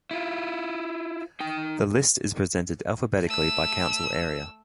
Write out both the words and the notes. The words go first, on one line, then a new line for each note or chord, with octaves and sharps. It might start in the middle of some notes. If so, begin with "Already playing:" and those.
The list is presented alphabetically by council area.
E4 F4
D#4 G5
A3 E6